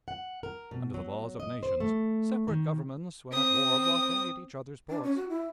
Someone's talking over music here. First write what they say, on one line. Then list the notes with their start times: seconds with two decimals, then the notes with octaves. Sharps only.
Under the laws of nations, separate governments when at war blockade each other's ports.
0.08 F#5
0.43 A#4
0.71 B2
0.94 F#3
1.40 D#5
1.63 C5
1.80 A3
2.48 D#3
3.31 C4 D#6
4.90 D4
5.03 C#4
5.16 F#4
5.29 E4